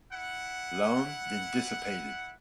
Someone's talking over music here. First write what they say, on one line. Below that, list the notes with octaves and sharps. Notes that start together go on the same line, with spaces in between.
Ione then dissipated.
E4 F#5